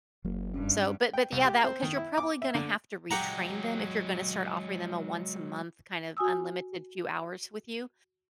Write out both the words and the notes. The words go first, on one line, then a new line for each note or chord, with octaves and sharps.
So, but but yeah, that 'cause you're probably gonna have to retrain them if you're gonna start offering them a once-a-month kind of unlimited few hours with you,
F#1 F#3 A#3
G2 C#4
G5
C2
G4
C4
D#3
E4
D6
E5
D3
F#3 G#3 G4 F#5 A#5
F#4 G#5 D#6 E6